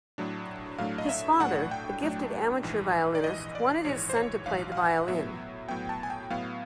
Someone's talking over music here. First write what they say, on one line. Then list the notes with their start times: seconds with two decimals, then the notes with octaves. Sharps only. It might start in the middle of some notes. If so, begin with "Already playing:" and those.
His father, a gifted amateur violinist, wanted his son to play the violin.
0.18 A2 F#3 A3 D4
0.78 A2 F#3 A3 D4 F5
0.98 D#5
1.09 E5
1.40 A2 F#3 A3 D4 F#5
1.71 G5
2.02 A2 F#3 A3 D4
2.63 A#1 G#2 E3
3.15 D5
3.24 A#1 G#2 E3 D#5
3.55 D5
3.85 A#1 G#2 E3 C#5
4.10 C5
4.16 C#5
4.46 A#1 G#2 E3 F5
4.72 F5
4.77 F#5
5.08 A2 F#3 B3 E5
5.69 A2 F#3 B3 G5
5.89 A5
6.03 G#5
6.10 G5
6.30 A2 F#3 B3 F5